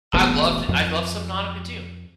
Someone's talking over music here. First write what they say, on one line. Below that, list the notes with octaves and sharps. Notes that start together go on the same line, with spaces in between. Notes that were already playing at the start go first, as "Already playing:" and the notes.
I loved I loved some Nautica too.
E1 A1 B2 B3
F2